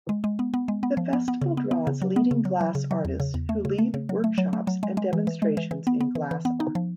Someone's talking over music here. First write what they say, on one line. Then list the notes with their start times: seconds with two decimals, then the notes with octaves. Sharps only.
The festival draws leading glass artists who lead workshops and demonstrations in glass art.
0.09 G#3
0.24 G#3
0.39 B3
0.54 B3
0.68 G#3
0.83 B3
0.97 F3
1.13 B3
1.28 B3
1.41 C#3
1.57 B3
1.71 B3
1.87 C#3
2.02 F#3
2.16 B3
2.31 C#3
2.45 F#3
2.61 F#3
2.75 C#3
2.91 F#3
3.05 E2
3.20 C#3
3.34 E2
3.49 A3
3.65 C#3
3.78 A3
3.94 C#3
4.09 F#3
4.24 A3
4.38 F#3
4.53 A3
4.67 F#3
4.83 G#3
4.97 G#3
5.13 E3
5.27 E3
5.42 G#3
5.57 E3
5.71 E3
5.87 B3
6.01 B3
6.15 E3
6.31 E3
6.45 B3
6.60 D#4
6.75 F3